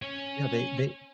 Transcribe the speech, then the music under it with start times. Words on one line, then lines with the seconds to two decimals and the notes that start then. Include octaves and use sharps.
You know, they they
0.02 C#4 C#5